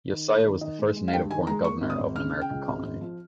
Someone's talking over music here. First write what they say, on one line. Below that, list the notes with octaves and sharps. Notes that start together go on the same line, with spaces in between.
Josiah was the first native born governor of an American Colony.
D#3
A#3
D#3
D#3 D#5
G#3
G#3
F5
G2 G5
D#3 G#5
G#3 A#5
A#3 C#6
G#1
D#6
G#1
C#3 F6
C#3
G5
C#2
G#1
G#1
F3